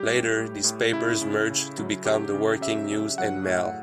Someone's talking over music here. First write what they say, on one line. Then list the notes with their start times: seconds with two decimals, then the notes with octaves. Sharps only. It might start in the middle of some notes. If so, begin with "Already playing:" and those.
Later, these papers merged to become the 'Woking News and Mail'.
Already playing: G3 G4
0.08 A2
0.36 A2
0.64 A2
0.92 C#3 E4
1.21 C#3
1.50 C#3
1.78 F#3
2.05 C#3 G4
2.34 C#3
2.61 C#3 E5
2.91 C#3
3.18 F#3 F#5
3.46 A2